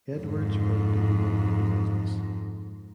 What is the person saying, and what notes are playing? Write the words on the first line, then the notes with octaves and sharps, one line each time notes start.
Edwards worked in the wallpaper business.
F2 G#2